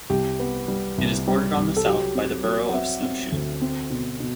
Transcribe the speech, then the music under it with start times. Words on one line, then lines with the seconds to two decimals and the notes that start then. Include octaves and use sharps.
It is bordered on the south by the borough of Snow Shoe.
0.10 C2 G4
0.39 B3
0.68 G3
0.98 C2
1.27 G3
1.57 C2
1.77 A4
1.86 F#3 G4
2.15 C4
2.44 F#3
2.69 F#5
2.73 C4 E5
3.02 C4
3.32 D2
3.61 C4
3.90 B2
4.20 B2